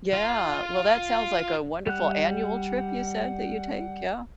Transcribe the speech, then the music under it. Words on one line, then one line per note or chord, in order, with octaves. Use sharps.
Yeah. Well, that sounds like a wonderful annual trip you said that you take? Yeah.
F4
G3 F#5 F#6